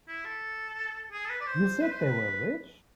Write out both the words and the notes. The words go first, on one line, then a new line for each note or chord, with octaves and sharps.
You said they were rich?
E4
A4
G#4
A4
B4
D5
C5
B4
C5
B4